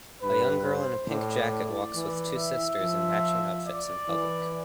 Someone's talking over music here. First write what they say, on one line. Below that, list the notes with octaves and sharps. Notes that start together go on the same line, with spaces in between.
A young girl in a pink jacket walks with two sisters in matching outfits in public.
G2 B4
C5
A2 D5
E3
E5
F3
D5
E3